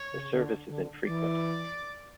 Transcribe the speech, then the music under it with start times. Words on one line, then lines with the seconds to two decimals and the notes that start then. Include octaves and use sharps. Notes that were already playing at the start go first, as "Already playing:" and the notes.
The service is infrequent.
Already playing: C#5
0.12 C#3
0.30 D3
0.68 D3
1.06 E3 D5